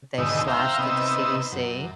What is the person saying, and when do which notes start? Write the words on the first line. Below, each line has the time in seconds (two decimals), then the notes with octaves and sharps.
they slashed the CDC,
0.18 D2 G#2 B2 D#3 D#4 E6
0.47 C5 E5 F5 G5 A#5
0.79 C3 B3 D#4 E6
1.52 F#2